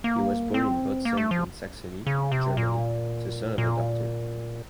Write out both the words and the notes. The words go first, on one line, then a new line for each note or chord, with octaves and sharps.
He was born in Bautzen in Saxony, Germany, the son of a doctor.
A#3
C4
A#3
A3
F3
C#3
C3
A#2
A#2